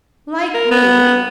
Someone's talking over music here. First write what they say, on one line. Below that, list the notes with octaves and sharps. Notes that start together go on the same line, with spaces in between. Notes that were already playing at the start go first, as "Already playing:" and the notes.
Like me!
A#4
B3